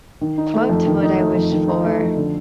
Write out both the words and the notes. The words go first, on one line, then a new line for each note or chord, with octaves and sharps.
what would I wish for?
D#3
D#4
A3
F2
D#3
D#4
A3
F2
D#3
D#4
A3
F2
D3